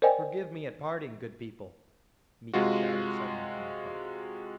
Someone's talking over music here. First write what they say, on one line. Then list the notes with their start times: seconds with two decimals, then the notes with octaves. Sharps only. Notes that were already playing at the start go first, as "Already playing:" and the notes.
"Forgive me at parting, good people!" Mitya shouted suddenly from the cart.
0.02 A#4 C5 D5 D#5 G5 G#5
2.54 C3 G#3 F4 F#4